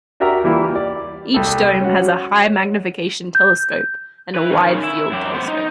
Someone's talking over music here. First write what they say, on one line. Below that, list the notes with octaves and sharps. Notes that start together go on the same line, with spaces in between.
Each dome has a high-magnification telescope and a wide-field telescope.
D4 F#4 G4 A#4 E5 A#5
E3 G3 A#3 E4 F4 A#4
G4 D5
C2 A4
C#4 F#4
G6
E4 B4
D#3 C#4
E4
F#2 G4
B3 C5
D#4